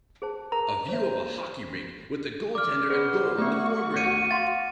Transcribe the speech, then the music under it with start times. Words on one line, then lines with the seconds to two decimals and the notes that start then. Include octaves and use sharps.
A view of a hockey rink with the goaltender and goal in the foreground.
0.22 G#4 C5 A5
0.52 A#4 A#5
0.89 C5 C#5 E5
2.55 D5 D6 F6
2.90 B3 G#4 C5
3.38 A3 B3 F#4 C#6
3.96 C#7 D#7
4.31 F5 F#5 C6 A6